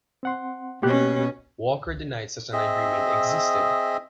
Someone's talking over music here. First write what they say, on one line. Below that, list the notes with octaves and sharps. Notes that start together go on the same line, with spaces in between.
Walker denied such an agreement existed.
C4 F#5 C6
B2 A#3 C#4 G4 F#6
C4 G#4 D#5 E5